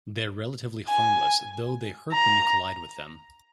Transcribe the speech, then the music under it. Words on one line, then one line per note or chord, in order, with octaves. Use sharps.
They are relatively harmless, though they hurt when you collide with them.
G#5
A#5